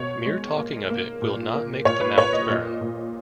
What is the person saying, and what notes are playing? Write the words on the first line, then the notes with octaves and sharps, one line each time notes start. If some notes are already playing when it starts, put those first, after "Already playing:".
Mere talking of it will not make the mouth burn.
Already playing: B2 C#5
G#3
A#3
A#3
A#2
A#3
A#2 C#5
B4
A#2 C#5
D#5
A#2
A#2